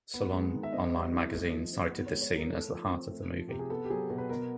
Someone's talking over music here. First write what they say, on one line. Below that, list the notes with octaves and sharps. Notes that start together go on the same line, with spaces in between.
Salon online magazine cited this scene as the heart of the movie.
B3
G#3
D#3
E5
C4 D#5
G3
E3
A3
F3
C4
B3
G#3 C#5
C#5
E3 A#4
A3 A4
F3
C4
A3
F3
C3 G4
G#4
B3 A4
G4
F#3 G#4
B2
B4
B3 A#4